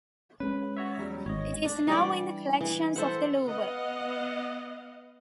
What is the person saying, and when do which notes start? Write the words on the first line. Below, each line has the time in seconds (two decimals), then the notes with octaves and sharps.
It is now in the collections of the Louvre.
0.40 G#3 C#4 B4
0.77 F#4 C#5 E5
0.98 E2 F#3 G3
1.26 G#1 C#5 D#5
1.65 D4
1.87 E3 G3 D5
2.61 E3
2.96 A4 C5 E5 F#5
3.47 B3 D#5 F5 F#5